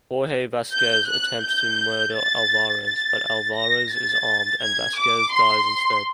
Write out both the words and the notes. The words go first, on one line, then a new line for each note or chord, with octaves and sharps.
Jorge Vasquez attempts to murder Alvarez, but Alvarez is armed and Vasquez dies instead.
G6
F#6
G6
A6
A6
A#6
A6
G#6
D6
C6